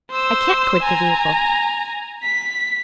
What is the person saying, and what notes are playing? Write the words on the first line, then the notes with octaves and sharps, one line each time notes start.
"I can't quit the vehicle."
C5 E6
G#5 A#5
B6